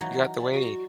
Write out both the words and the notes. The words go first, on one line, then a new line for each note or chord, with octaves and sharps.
You got the way.
E3 F#3 D#4
D5
F#4